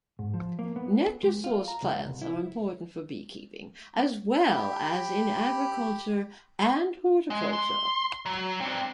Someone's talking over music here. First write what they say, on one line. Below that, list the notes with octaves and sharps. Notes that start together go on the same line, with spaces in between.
Nectar source plants are important for beekeeping, as well as in agriculture and horticulture.
G#2
F3
A#3
B3
G#3
F4
A#5
C#2
C2
E4
G4 B5
G#3
C6
F#3
C4 D4